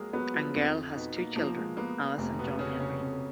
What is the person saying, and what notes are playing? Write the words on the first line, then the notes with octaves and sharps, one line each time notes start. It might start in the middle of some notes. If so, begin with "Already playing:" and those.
Angell has two children, Alice and John Henry.
Already playing: F3 F#3 G#3 A#3 F4 F#4 G#4 A#4
F#3 B3 F#4
F3 F4
F2 F3 F4
B2 B3 D#4
A#3
F3 A#3
G#3
A#3 B3
F1 A#3
B2 B3
F1 C#3 C#4
C#3 C#4
F2